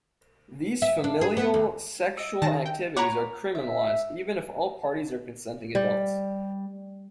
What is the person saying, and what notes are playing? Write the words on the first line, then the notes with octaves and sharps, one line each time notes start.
These familial sexual activities are criminalised, even if all parties are consenting adults.
E5
D4
G#4
B3
D#2
D#5 E6
D#3 A5 A#6
G5
C#5 F#5 A#5 B5 D6
E5
G3